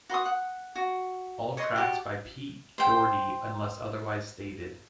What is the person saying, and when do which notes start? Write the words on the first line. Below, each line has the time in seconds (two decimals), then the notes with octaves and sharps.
All tracks by Pete Doherty unless otherwise stated.
0.09 F#4 C6 C#6 D#6
0.25 F#5
0.75 F#4
1.57 C#5 D#5 C6
1.76 F#4 G4 A5
2.78 C5 G5